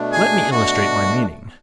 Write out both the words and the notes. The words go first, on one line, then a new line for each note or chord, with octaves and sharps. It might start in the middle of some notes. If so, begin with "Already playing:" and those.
Let me illustrate my meaning.
Already playing: B2 A3 D4
G#4
B2 A3 D4 F#4